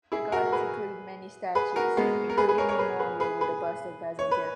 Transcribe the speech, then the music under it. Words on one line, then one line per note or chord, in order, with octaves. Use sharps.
The gardens include many statues, including a memorial with a bust of Bazalgette.
E4 G#4
F#4 A#4
G#4 B4
G#4 B4
F#4 A#4
G#3 B3
A#4
G#4 B4
G#4 B4
A#4 C#5
A#4 C#5
G#4 B4
G#4 B4
G#4 B4
G#4 B4
C#5
B4